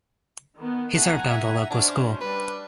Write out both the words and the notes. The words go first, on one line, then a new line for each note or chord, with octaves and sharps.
He served on the local school.
D#3 B3
A3 F#5 G#5 A#5
E5
C#4 D4 F#4 C5
G3 D4 B4